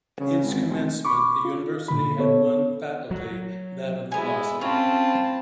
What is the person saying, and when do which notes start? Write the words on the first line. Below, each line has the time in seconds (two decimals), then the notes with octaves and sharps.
At its commencement, the university had one faculty - that of philosophy.
0.20 C#3
0.44 G#1
0.70 F1
1.05 B5 C#6 D6
1.45 F4
1.88 A#2 D3 B5
2.19 B3 A4 C#5
3.11 F#3
4.12 G#3 B3 E4 G#5
4.61 C4 C#4 F4 A5 B5